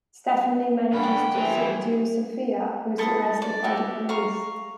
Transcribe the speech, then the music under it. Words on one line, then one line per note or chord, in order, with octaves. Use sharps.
Stephanie manages to subdue Sophia, who is arrested by the police.
D3 G3 B3 C#4 D4 G5 B5
A3 C4 G4 B4 E5 G#5
E4 A4 F5 D#6
D5
F#4 G4 E5
F5 A#5 C#6